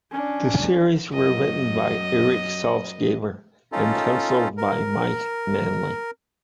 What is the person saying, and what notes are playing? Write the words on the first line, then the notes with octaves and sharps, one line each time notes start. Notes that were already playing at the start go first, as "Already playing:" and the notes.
The series were written by Erik Saltzgaber and pencilled by Mike Manley.
C#4 D4
F#2 D#5
C#4 D#4 F4 A4
A#4